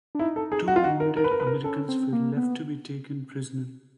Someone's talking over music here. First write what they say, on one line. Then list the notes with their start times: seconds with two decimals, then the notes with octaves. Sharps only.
Two wounded Americans were left to be taken prisoner.
0.15 D4
0.19 D#4 E4
0.36 A4
0.52 G#4
0.68 F#4
0.76 F4
0.84 F#4
1.00 A#4
1.17 A#4
1.24 B4
1.31 A#4
1.40 B4
1.47 A#4
1.64 C#4 A4
1.88 C4
2.13 A#3
2.37 B3